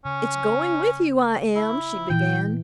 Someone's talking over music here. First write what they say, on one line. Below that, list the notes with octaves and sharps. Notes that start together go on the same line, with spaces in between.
"It's going with you I am," she began.
C#3 C#4
E4
A#2 E3 E4 G5